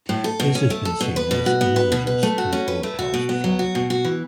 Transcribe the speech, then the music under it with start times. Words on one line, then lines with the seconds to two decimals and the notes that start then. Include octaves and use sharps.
This has been seen as analogous to the broadcast flag.
0.09 A2
0.24 A4
0.40 B2
0.55 C#4
0.70 A3
0.85 A4
1.01 B2
1.16 B4
1.31 B2
1.46 F#4
1.61 B3
1.76 B4
1.92 B2
2.07 B4
2.23 A3
2.38 F#4
2.53 C#4
2.68 B4
2.83 A3
2.99 F#4
3.14 B2
3.29 B3
3.44 F#3
3.59 F#4
3.75 B2
3.90 F#4
4.05 E3